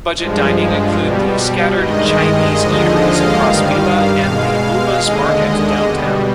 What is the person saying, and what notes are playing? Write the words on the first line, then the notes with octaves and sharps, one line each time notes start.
Budget dining include the scattered Chinese eateries across Vila and the Mummas Market downtown.
G2 F3 G#3
B2 G3
G2 D#3 G#3 D#5
D#2 D3 F3 G#3 D#5
F5
G2 D#3 G3
B2 G#3
D#2 D3 G#3 D#5
B2 G3